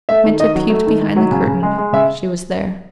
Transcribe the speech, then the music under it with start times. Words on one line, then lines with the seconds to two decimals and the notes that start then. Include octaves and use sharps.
Mitya peeped behind the curtain--she was there.
0.09 A3 E5
0.25 D#3
0.40 D#3 D#5
0.55 F#3
0.70 A3
0.86 D#3
1.01 D#3
1.16 F#3
1.31 C#3
1.47 C#3
1.63 G#3
1.78 G#3
1.93 C#3 E5